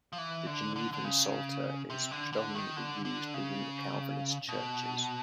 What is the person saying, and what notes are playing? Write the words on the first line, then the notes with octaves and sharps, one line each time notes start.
The Genevan Psalter is predominantly used within the Calvinist churches.
F3
E3
D3
D3
D3
C#3
C3
D3
D3
D#3
D3
D3
C#3
B2